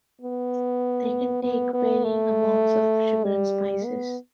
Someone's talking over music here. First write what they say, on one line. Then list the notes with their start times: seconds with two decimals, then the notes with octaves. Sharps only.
They can take varying amounts of sugar and spices.
0.21 B3
1.43 B3
1.73 B3
2.04 A3
3.24 G3
3.85 B3